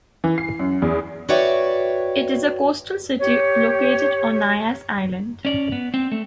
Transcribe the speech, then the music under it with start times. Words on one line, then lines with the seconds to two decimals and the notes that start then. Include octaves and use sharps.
It is a coastal city located on Nias island.
0.24 E3
0.38 C7
0.59 F#2
0.82 E2
1.29 F#4 B4 C#5 D5 E5 G5
3.18 G4 C#5
5.45 C#4 D5
5.72 B3
5.94 C4
6.12 A3